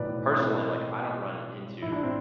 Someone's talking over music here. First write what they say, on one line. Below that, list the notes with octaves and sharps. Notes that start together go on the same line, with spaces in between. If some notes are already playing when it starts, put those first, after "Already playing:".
personally, like, I don't run into,
Already playing: B1 A2 E3 B4 D5
C4 E4
A1 A2 E3 E4
D4
C4